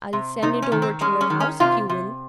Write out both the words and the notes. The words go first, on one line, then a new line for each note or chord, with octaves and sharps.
I'll send it over to your house if you will.'
C3
C3 D#4
C#4
D#3
C4
G#3 C#4
C#4
D#3
C#4
C3 F4
C3